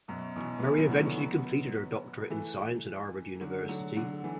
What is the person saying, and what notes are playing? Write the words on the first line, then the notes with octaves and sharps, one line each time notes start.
Murray eventually completed her doctorate in science at Harvard University.
F#2 B2
B2 E3
B3
E3 A3
D3 F#3
A2 D3
E3 A3
F#3 B3
E3 A3
D3 F#3
A3
D3 F#3
D3 F#3
E3 A3